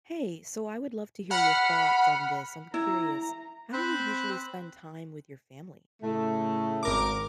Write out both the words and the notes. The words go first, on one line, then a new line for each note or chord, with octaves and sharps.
Hey, so I would love to hear your thoughts on this, I'm curious, how do you usually spend time with your family?
F#5 B5 F6
E4 A#5
C4 C5 B5 F#6
A2 C#3 A3
G#1 A#4 D6